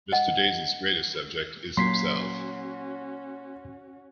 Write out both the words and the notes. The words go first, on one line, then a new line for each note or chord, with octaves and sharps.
Mr. Daisey's greatest subject is himself.
D#5 F#5
A#2 F#3 C#4 F#4 C6 B6 C7